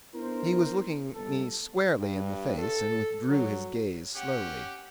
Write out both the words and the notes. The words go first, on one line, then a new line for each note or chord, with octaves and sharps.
He was looking me squarely in the face, and withdrew his gaze slowly.
B3 D4 E4 A#4 C5
G1 A4
G2
A4
F#3
C#4 G4 F#5